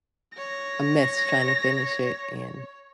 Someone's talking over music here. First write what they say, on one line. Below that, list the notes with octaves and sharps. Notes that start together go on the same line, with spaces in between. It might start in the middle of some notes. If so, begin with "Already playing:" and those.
a mess trying to finish it, and
C#5 A#6